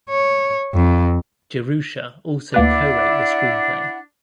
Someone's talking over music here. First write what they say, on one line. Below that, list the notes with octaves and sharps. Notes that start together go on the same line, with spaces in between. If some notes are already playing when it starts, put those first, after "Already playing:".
Jerusha also co-wrote the screenplay.
C#5
F2
D2 A#3 D4 E4 B4 D5 F#5